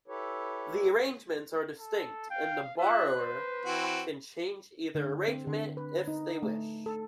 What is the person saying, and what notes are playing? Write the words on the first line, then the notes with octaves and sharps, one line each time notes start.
The arrangements are distinct and the borrower can change either arrangement if they wish.
E4 G4 A4 B4 C#5
A4
F5 G5
F4 E5 F#6
B4 C5
E3 C4 F#4
D3
C4
D3
B4
D#4
A3
A4